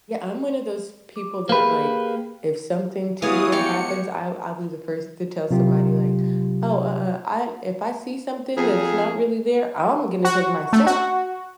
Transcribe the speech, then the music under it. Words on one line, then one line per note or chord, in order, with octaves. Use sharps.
Yeah, I'm one of those people that, like, if something too weird happens, I'll I'll be the first to tell somebody like, oh, uh, uh, I if I see something that's not really there, I'm gonna take myself
D6
A#3 G4 G#4 B4 G5
E3 G#3 B3 F#4 C#5 F5 D#6
G4 F5 G5 C#7
C3 F#3 F4 G4
F2 G#4
F#4
A3
F#4